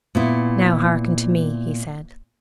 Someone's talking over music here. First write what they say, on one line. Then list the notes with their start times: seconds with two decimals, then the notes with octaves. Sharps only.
"Now, hearken to me," he said.
0.15 A#2 B3 E4